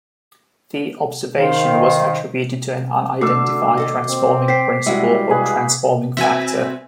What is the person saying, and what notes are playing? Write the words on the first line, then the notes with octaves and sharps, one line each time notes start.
The observation was attributed to an unidentified "transforming principle" or "transforming factor".
D#3 C5 F5
D3 A3 F#4 D6 E6 C7
D#2 A4 D#5
C4
C5 G5 B6 C7
G3 G#3 E4 F#4 E5 F#5
G#4 B4 F5
C4 F#4 B4 E5 G#5